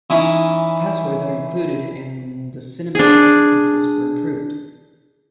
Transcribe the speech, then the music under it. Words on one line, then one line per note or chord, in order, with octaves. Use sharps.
Passwords are included and the cinematic sequences were improved.
E3 C#4 D#4 E4
D4 G#4